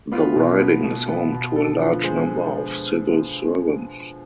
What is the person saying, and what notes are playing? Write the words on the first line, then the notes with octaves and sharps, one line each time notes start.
The riding is home to a large number of civil servants.
B3 F4
B2
B3
B2
B3
B2
D3 A4
F3 B4
G#3 C5